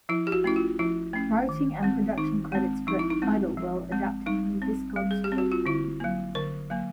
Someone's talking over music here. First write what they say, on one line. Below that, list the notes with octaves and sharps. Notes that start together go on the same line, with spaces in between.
Writing and production credits for "Idlewild" adapted from Discogs dot com.
F3 E4
G4
F#4
A3 C#4 E4
F4
F3 E4
A3 C#4
D#3
G#3 C4
D#3 D#4
G#3 C4
F3 D#4
E4
D#4
G#3 C4
F3
G#3 C4
G3 D#4
C4
G3
G#4
G4
C4
F#4
F4
D3 E4
F#3 A#3
D3 A#4
F#3 A#3